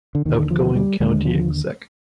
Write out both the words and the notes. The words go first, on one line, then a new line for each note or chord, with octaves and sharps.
Outgoing County Exec.
D3
D#2 D3 D#3
F3
G3
D#2 D3 G#3
F3